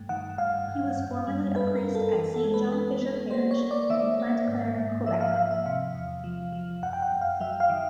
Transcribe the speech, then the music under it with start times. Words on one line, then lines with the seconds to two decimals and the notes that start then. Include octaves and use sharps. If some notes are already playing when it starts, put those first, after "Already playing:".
He was formerly a priest at Saint John Fisher parish in Pointe-Claire, Quebec.
Already playing: G2 A3
0.09 D#3 F#5
0.38 G2 F5
0.68 G2
0.97 F#2
1.27 G3
1.56 F#2 B4
1.76 A#4
1.85 F#2
1.95 A4
2.15 E3
2.34 A4
2.44 G#3
2.54 B4
2.72 B3
3.01 B3
3.31 A#3 C5
3.51 C#5
3.61 A#3
3.71 D5
3.90 D#3 E5
4.20 A#3
4.48 G#2
4.78 G#2
5.06 F3 E5
5.21 F5
5.36 F3 F5
5.51 E5
5.66 C3 F5
5.95 E2
6.24 F3
6.52 F3
6.83 F#2 F#5
6.93 G5
7.02 F#5
7.12 F#2
7.21 F5
7.40 F#3 E5
7.60 F5
7.70 D#3